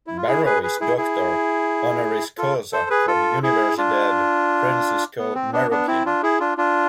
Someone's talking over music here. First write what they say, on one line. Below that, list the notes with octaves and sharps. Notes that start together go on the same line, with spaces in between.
Barro is doctor "honoris causa" from Universidad Francisco Marroquin.
E4
F4
E4 G#4
G#4 B4
G#4 B4
E4 G#4
E4 G#4
F4 A4
A4 C5
G#4 B4
F4 A4
E4 G#4
D4 F4
B3
C4
B3 D4
B3 D4
C4 E4
D4 F4
E4 G#4
D4 F4
D4 F4